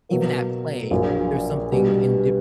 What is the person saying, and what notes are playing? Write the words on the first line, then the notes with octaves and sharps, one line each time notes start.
even at play, there's something indifference
B2 F#3 A#3
A#1 A#2 F#3 A#3
B2 G3 B3